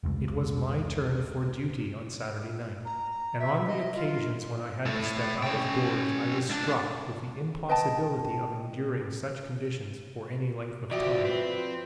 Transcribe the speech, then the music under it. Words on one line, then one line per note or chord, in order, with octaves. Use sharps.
It was my turn for duty on Saturday night, and on the occasions when I had to step out of doors I was struck with the impossibility of enduring such conditions for any length of time.
F1 C#2
A#5
E5
D#5
F4
A2 A3
C#4 G5
C#2 D4
B4 D#5 G5 A5
E3 F3 F#4 G4 D5 E5
C4 B4